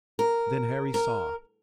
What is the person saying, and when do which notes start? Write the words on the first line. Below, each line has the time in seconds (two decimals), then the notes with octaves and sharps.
Then Harry saw.
0.19 A#4
0.94 A#4